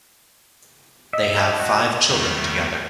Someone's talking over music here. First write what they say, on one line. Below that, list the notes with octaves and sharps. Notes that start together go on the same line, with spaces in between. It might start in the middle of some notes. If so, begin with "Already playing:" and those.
They have five children together.
D#5 E5
F#4
E2 D#3 G3 A3